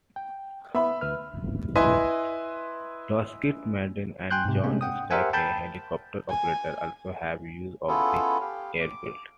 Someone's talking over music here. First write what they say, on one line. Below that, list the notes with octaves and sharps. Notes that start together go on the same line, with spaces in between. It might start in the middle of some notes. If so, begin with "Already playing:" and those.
Lockheed Martin and Jon Stark, a helicopter operator, also have use of the airfield.
G5
B3 E5 B5
D2 B4 F6
E4 B4 D#5 E5 G#5 C6
G5 G#5 C6 F#6 G6
G#2 C3
C3 G#3 A#3 C#4 D4
F#5 G5 D#6
G4 A#4 C5 E5 F#5 G#5
G5 A5 B5 G6
G#5
B3 C#4 E4 F4 G#4 A4
G4 F5
D6